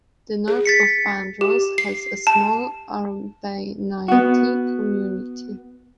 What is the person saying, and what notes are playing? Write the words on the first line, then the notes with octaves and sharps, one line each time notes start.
The north of Andros has a small Arvanite community.
G#4
A6 B6 C#7
G4
C7
A5
B3 F#4